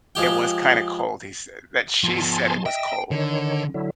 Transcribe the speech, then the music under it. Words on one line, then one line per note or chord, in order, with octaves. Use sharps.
It was kinda cold, he said that she said it was cold.
F3 G#3 G4 G5
F3 B3 G#5 A5 C6
D#5 E5 G5
D3 D#3 C#5
D3 F#3 E4